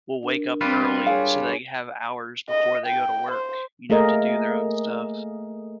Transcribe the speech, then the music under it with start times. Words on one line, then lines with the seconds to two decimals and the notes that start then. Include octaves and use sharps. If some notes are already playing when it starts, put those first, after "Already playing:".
will wake up early so they have hours before they go to work, you know, to do their own stuff,
0.23 D4 A#4
0.61 G3 C4 F4 B4
1.06 G#4 C#5 F5
2.49 D#5
2.86 G5
3.31 C5
3.90 A3 A#3 G#4 A#4 D#5